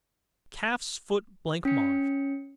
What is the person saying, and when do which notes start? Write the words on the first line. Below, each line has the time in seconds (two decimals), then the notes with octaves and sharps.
Calf's Foot Blancmange.
1.65 C#4 C#7